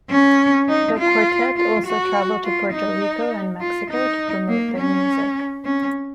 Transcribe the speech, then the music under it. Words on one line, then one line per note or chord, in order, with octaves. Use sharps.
The quartet also traveled to Puerto Rico and Mexico to promote their music.
C#4
D#4
F4
F4
F#4
F4
D#4
F4
D#4
A#3
C#4
C#4